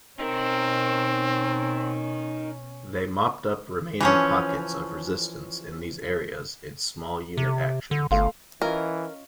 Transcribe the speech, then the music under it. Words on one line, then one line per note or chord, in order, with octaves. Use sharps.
They mopped up remaining pockets of resistance in these areas in small unit actions.
B2 C4 C#4 D#4 A#4
E3 F3 C#4
C3
D3
G1 A3 F5 C6
E3 C#4 F4 A#4 D#5